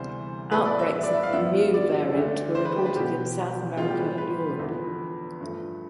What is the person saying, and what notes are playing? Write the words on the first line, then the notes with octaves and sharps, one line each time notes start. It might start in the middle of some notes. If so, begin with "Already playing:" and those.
Outbreaks of the Mu variant were reported in South America and Europe.
Already playing: D2 C3 E3 G3 B3 C5
A2 G3 B3 B4
D5
E5
D5
E5
F5
G2 F3 B3 E5
D5
D2 D3 A3
C5
B4
G4
B4
B2 B3 G4
A2 E3 G3 B3 F4
G4
B4
B4
E2 D3 F3 B3
G2 F3 A3